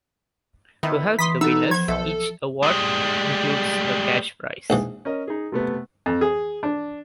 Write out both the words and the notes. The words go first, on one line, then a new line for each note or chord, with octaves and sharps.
To help the winners, each award includes a cash prize.
D#3 B3 D#4 E4
E3 C6 D#6 B6
D#4 E4 F#4 A4 E6
F3 B3 C5 G#6
B1 A4 E5
G3 G#3
A#1 G#2 E3
C#4 A#4 D#5
D#4 G#4
C3 A3 B3
F2
G#4
D4